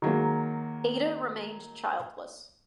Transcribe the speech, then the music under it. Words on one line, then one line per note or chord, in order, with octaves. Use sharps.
Ada remained childless.
D#3 F#3 G#3 A#3